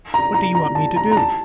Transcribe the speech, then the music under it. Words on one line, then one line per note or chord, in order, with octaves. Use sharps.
"What do you want me to do?"
A#5
A#5
A#5
A5
A#5
A#5
A5